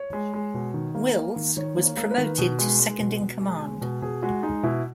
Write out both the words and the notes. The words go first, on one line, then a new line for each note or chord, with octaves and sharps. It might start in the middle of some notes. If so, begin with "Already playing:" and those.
Wills was promoted to second-in-command.
Already playing: C#5
G#3
G#3
B2
D#3
A#3
A#3
D#3
D#3 C#5
A#3
C#5
A#3
B4
D#3
B2
G#3
G#3
B2
B2
G#3
G#3
B2
B2 G#4
G#3 F#4
G#3 D#4
B2 E4